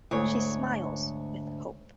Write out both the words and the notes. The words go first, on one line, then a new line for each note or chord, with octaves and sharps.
She smiles with hope.
D2 G#2 C#5